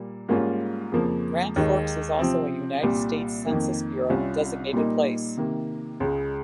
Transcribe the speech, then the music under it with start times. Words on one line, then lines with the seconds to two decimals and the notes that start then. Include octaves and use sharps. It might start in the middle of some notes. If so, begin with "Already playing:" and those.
Grand Forks is also a United States Census Bureau designated place.
Already playing: A#2 G3 A#3
0.29 G#2 G3 A#3 C#4 F4
0.92 F2 C#3 F3 A#3
1.56 D#2 D#3 G#3 D#4
2.19 C3 F3 C4
2.83 C2 A#2 G3
3.46 F2 D#3 A#3
4.10 C2 C3 G3 C#4 F4
4.73 A#2 G3 A#3 D#4
5.37 C3 D#3 A#3
6.00 C#2 C#3 G#3